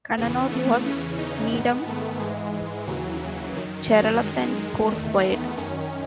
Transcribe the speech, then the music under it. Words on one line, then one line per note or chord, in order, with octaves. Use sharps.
Kannanar was Nedum Cheralathan's court poet.
E2 C#3 E3 B3
A3
E2 C#3 E3 C#4
D#4
G#2 D#3 B3
A3
G#2 E3 G#3
G#3
D#2 C#3 E3 F#3
F#2 D#3
F#3
F#2 D#3 G#3
G#3
E2 D#3 A3
B3
F#2 D#3 C#4